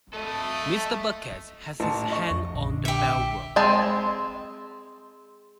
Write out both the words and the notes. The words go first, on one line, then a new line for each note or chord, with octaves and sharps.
Mr. Bucket has his hand on the bell-rope.
A3 A4 D#5
A1 A5
D#5 C#6
F2
A#1 D3
G4 E5
G#3 C4 G#5 A5 B5